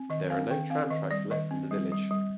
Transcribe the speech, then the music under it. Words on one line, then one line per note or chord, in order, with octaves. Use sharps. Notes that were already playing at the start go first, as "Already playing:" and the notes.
There are no tram tracks left in the village.
Already playing: C4
D#3 D#5
C4 F5
D#3 G5
C4 F5
D#3 D#5
G3 D5
D#3 D#5
C4
G3
G3
G3